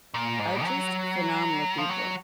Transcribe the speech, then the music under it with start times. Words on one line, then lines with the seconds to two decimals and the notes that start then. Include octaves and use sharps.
are just phenomenal people.
0.14 A#2
0.39 G#2
0.64 F#3
1.78 F3
1.90 F#3